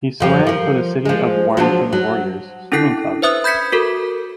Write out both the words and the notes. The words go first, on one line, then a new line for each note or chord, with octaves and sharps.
He swan for the City of Warrington Warriors Swimming Club.
F2 F3 G4
F3 A#4
F3 G#3
F3 F#3 D4
F#3
C#4 D4 E4 A4 F#6 C7
B4 C5 E5 D#6 F#6
B5 G6 G#6 B6 C#7
F#4 A4 A#4